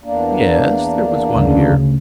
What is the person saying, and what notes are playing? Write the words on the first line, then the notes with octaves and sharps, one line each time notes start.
"Yes, there was one here."
E2 A#3 D4
D2 C#3